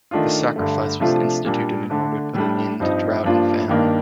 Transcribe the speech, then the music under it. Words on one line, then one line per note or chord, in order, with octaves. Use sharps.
The sacrifice was instituted in order to put an end to drought and famine.
D#3 A3 D4 F4
G2 D3 A3
C3 F3 A3 D4 F4
A#2 G3 A#3 D4
D3 A3 D4
A2 G3 D4
G2 F3 C4 D#4
G2 F3 A#3 D4 F4
G2 D#3 A#3 D4